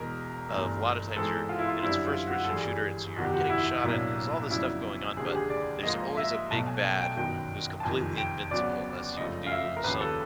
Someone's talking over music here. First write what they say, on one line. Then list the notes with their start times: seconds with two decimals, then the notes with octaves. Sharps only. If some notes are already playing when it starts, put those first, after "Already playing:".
of a lot of times you're, you know, it's first-person shooter, and, so, you're getting shot at it, and there's all this stuff going on, but there's always a "big-bad" who's completely invincible unless you do some
Already playing: E2 B2 G#3 A#4
0.50 G1 G2 E3 A3
1.16 G#2 E3 G#3 C4 A4
1.49 F4
1.59 E4
1.68 F4
1.83 F#2 D3 G3 C4 E4
2.06 F4
2.27 F#4
2.44 A4
2.50 G#1 G2 E3 G3 G#4
3.16 G1 F2 C3 D#3 F#4
3.25 G4
3.34 F#4
3.50 E4
3.83 B1 A2 F#3 A#3 D4
4.50 F2 C#3 F#3 B3 D4 E4
5.16 F1 D#2 D3 G#4
5.26 G4
5.35 G#4
5.50 D5
5.83 G#2 F3 A#3 D#5
6.17 E5
6.50 B1 B2 F#3 A3 A5
6.66 G#5
6.84 G#5
7.00 G5
7.17 G1 F#2 D#3 F#3 G5
7.80 A5
7.83 F#1 F2 C3 D#3 G#5
8.17 G5
8.51 D2 C#3 F#3 B3 D5
9.17 F#1 F2 C#3 F3 A3 D#5
9.46 F5
9.52 E5
9.77 A#4
9.84 D#2 C#3 F3 B4
10.01 A4